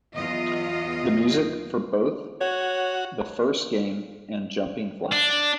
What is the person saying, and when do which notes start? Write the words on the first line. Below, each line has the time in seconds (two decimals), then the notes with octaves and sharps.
The music for both the first game and Jumping Flash!
0.15 E2 F#3 F4 D#5
2.41 F#4 C#5
5.12 D4